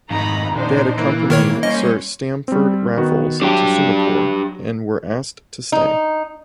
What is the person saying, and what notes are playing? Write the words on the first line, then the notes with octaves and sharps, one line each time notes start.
They had accompanied Sir Stamford Raffles to Singapore and were asked to stay.
F2 G#2 D#3 D#4 A#5 B5
A#2 D4 D#4 C5
E3 A#3
D#3 A#4 C#5
G3 C#4 C5 D#5
G3 C4
D#3 B3 F#4
F#3 D4 G4 G5
D#4